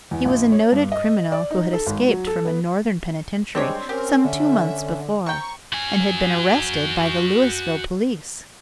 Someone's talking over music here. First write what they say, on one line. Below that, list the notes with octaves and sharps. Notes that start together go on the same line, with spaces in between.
He was a noted criminal who had escaped from a Northern penitentiary some two months before, and had been arrested by the Louisville police.
E2
A#1
C#5
G2
D#5
D5
D#4
A4
G#1
F#3
A4
B3
G3 G#3 C4 D4 G4 C#5
C#4 G4 A#4
D3 E5
C4 G5 A#5 C#6
F#4 G#5